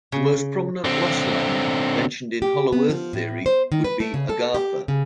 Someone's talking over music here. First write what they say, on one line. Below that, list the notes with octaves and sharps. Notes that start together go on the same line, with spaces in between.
The most prominent lost land mentioned in Hollow Earth theory would be Agartha.
C#3
D3 C4
G4
B3
F3
A2
C5
D#3
B4
A3
C#3
A4
G4
C#3